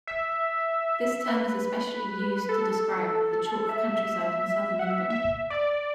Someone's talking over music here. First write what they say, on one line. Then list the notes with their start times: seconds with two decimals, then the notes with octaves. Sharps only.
This term is especially used to describe the chalk countryside in southern England.
0.07 E5
1.28 B4
2.49 A4
3.69 E5
4.79 F#5
4.90 E5
5.10 E5
5.50 D5